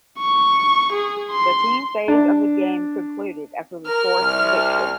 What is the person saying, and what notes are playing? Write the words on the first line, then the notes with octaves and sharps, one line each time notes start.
The team phase of the game concluded after the fourth eviction.
C#6
G#4
C6
D4
A#4 F6
C2